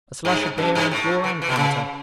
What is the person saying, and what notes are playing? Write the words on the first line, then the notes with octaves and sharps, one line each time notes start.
A slush of beer on floor and counter.
G2
F#2
G2
A2
E3
E3
B2
C#3